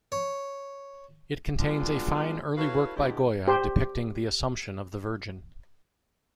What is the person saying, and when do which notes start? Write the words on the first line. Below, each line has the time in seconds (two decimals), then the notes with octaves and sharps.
It contains a fine early work by Goya depicting the Assumption of the Virgin.
0.12 C#5
1.59 F#3 G#3 B3 D4 F4
2.58 E4 F#4 A4 B4 C#5 F5
2.96 D2 G2 G#3 E4 F#4 G4
3.48 G4 C5